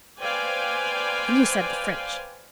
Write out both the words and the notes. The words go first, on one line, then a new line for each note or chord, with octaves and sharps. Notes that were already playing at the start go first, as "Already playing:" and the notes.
And you said the French...
B4 C5 D5 F5 G5 G#5